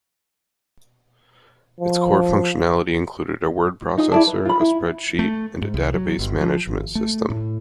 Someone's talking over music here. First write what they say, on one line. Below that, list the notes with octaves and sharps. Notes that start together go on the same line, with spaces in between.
Its core functionality included a word processor, a spreadsheet and a database management system.
F3
D#4 F4 G#4 D#5
E4 G#4 D5 A5
B4
F4 B5
E4
A3
G#2
C2
F#3
G1
F3
G#1
A3
A2